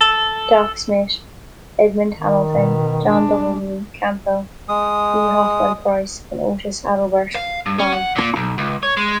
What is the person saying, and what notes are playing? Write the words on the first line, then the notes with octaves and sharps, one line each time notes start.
"Doc" Smith, Edmond Hamilton, John W. Campbell, E. Hoffmann Price, and Otis Adelbert Kline.
A4
D#3
B2
G#3 D4
G#3 D#6
F5
G2
C#4
F#5
A#2
B1
C#2
C#5
G#3